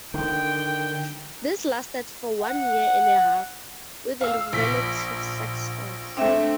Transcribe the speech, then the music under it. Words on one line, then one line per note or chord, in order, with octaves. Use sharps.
This lasted for one year and a half, with a relative success.
D3 D#3 G5
F#5
F5 E6
A#1 B6
A3 C4 D4 E5